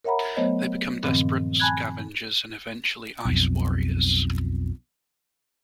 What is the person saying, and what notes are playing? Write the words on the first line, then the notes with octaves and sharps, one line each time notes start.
They become desperate scavengers and, eventually, Ice Warriors.
A#4 C#5 E5 F#5 A#5 B5
F#3 A3 B3 C5 C#5 D#5
G2 A#2 D#3 F3 C4
G#5 A5 B5 F#6 G#6
B1 F2